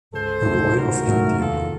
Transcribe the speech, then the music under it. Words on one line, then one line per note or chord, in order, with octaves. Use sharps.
Roy of India.
C#2 A4 C5
C3 D#3 F#3 A3
C#2 F#4 A#4
C3 D#3 F#3 A3
D#2 F4 A4